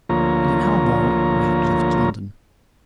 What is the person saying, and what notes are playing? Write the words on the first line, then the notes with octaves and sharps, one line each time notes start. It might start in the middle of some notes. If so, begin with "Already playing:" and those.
In an hour more we had left London.
D2 F3 A#3 F4 C#5 A#5